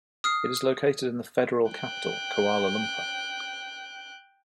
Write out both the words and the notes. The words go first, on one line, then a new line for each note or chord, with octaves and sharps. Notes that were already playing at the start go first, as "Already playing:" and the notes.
It is located in the Federal capital, Kuala Lumpur.
D#6 F6 C7
G5 F#6